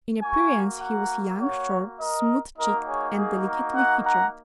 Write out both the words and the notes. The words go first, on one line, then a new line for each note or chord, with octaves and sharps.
In appearance he was young, short, smooth-cheeked, and delicately featured.
A#3 F#4 G#5 C#6
F#5 A#5
C#5 F#5
A#4 D#5
A#3 D#4 F#4 A#4 D#5
G#4 C#5
G#4
A#4
F#5 A#5
F#5 A#5